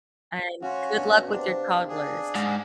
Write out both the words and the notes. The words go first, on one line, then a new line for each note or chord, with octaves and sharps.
And good luck with your toddlers.
C#4 F#4 F5 C6
B2 D4 D#4
C3 D4
D4 G#4
G#2